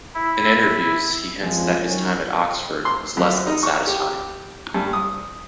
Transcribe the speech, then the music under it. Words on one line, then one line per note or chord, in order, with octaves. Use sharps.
In interviews, he hints that his time at Oxford was less than satisfying.
E4
F2 F3 G#3
F#2 D#3 C#4
C6
F#2
D#4
C#6
G4
G2
D#6